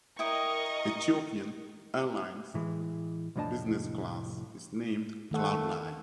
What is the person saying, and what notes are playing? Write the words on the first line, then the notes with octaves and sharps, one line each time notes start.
Ethiopian Airlines' Business Class is named "Cloud Nine".
E4 A#4 D#5 G5 C#6 D#6
A2 E3 G#3
C2 F2 A2 D4 D#5 A5
D#3 A3 F#5